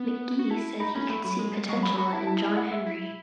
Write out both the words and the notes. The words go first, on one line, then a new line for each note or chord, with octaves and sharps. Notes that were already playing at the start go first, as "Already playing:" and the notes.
McGee said he could see potential in John Henry.
Already playing: B3
F#4
E4 A5
D#4 B5
C#4 B5
A3 B5
F#3 B5
G#3
G#3 C#6
F#3
G#3 B5
F#4 B5
E4 A5
A5
G#5
F#5
E5
E4
E4